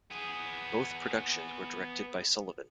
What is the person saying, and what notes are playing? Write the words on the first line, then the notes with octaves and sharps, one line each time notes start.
Both productions were directed by Sullivan.
B3 G#4